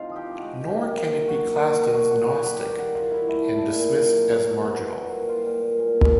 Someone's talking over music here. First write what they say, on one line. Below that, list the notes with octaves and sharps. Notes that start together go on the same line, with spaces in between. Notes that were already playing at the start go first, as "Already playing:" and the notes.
Nor can it be classed as "gnostic" and dismissed as marginal.
Already playing: C3 D#4 F4 D#5 F5
F3
G4 G5
C3
F#4 F#5
G#3
A#3 G4 G5
A#3
F#3
F#3
F#3 F#4 F#5
A#3
F#3
A#3
D3 F#4 F#5
D3 F#4 F#5
D3 F#4 F#5
F#3 G4 G5
F#5
D3 G4 G5
A#3 F#4 F#5
F#3 F4 F5
D3 E4 E5
A3 E4 E5
A3
A#2
A#2
F#3
F#3
A#2
F#3
B3 F#4 F#5
B3
A#2
G3
G3 F4 F5
A#2
A#2
A#2
A#3